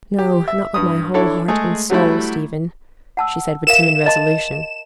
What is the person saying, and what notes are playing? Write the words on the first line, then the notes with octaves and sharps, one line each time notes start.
"No, not with my whole heart and soul, Stephen," she said with timid resolution.
G4
E5
G2 D#6
D4 E4 A4 C#5
G#3 A3 G#4
F#3 G3 A3 E4
F#5 A5 E6
A#4 E5 F5 E7
D#5 A5 C6